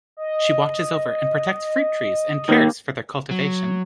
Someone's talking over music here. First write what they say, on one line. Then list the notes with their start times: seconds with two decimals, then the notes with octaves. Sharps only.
She watches over and protects fruit trees and cares for their cultivation.
0.17 D#5
2.49 D#3 A#3
3.31 F#3